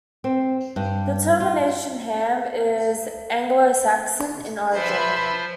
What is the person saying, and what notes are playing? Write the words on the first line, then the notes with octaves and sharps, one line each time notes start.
The termination "-ham" is Anglo-Saxon in origin.
C4
G2
F4
F3 B4 C5 E5 B5